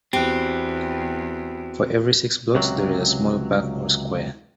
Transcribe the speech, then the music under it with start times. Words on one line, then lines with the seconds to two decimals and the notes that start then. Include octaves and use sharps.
For every six blocks, there is a small park or square.
0.13 E2 B3 C4 F#4 G4
2.55 C#2 C3 F#3